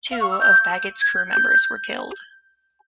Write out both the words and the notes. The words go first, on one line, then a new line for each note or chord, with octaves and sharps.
Two of Baggett's crew members were killed.
F5
C#6
E6
G6
G#6
G6
G6